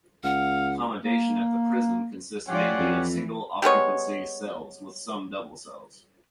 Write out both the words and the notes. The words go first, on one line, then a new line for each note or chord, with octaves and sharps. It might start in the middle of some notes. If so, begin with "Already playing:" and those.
Accommodation at the prison consists mainly of single occupancy cells, with some double cells.
C#2 F5 F#5
A#3
F3 C#4 F4 G4 D5 F#5
F2 E3
G3 G#3 B3 C#5